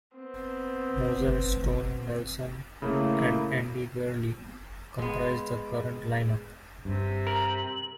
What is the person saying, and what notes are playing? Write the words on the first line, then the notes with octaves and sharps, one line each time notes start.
Moser, Stone, Nelson and Andy Gurley comprise the current lineup.
B3 C4
C#3 A3 A#3 E4
G#3 B3
G2 C3
A#4 F#7